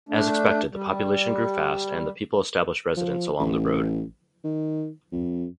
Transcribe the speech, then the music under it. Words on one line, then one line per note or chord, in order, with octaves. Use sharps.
As expected, the population grew fast and the people established residence along the road.
A3 D4
G3
F3
A1
D#3
F2